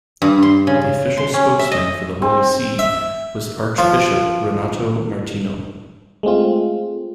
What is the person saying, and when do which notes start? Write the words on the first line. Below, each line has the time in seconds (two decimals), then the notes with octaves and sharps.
The official spokesman for the Holy See was archbishop Renato Martino.
0.22 G2
0.43 C6
0.67 C#3
1.17 C6
1.34 C#4
1.59 E5
1.72 D#5
2.22 C4
2.79 E5
3.78 F3
6.23 G#3 A3 C4 F4